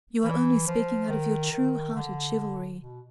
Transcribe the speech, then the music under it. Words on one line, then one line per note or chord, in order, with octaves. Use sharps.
You are only speaking out of your true-hearted chivalry.
E3
F3
D#3
D#3
D3
B2